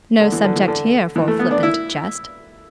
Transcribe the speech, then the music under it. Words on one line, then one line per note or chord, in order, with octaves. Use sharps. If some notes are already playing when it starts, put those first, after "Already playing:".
No subject here for flippant jest.
D3
E3
D3
E3
D3
E3
A3
B3
D4
E4